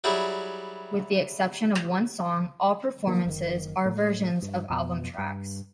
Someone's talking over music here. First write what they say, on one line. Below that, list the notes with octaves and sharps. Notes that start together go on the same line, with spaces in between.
With the exception of one song, all performances are versions of album tracks.
F#3 G3 E4 G#4
D#3 F#3 A#3
F#1 D#3
A2
G2
F2 B2
G2